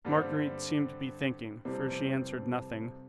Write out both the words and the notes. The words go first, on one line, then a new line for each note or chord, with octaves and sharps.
Marguerite seemed to be thinking, for she answered nothing.
G2 D3 G3 C4 G4
F2 C3 E3 G3 C4